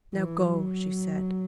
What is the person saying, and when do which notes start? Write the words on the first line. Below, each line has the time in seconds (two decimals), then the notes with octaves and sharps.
"Now go," she said.
0.15 E3
0.43 F#3